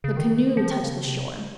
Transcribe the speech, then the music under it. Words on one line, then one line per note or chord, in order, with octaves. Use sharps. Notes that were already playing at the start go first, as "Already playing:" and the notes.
The canoe touched the shore.
C#3
D#3
F3
D#3
C#3
C3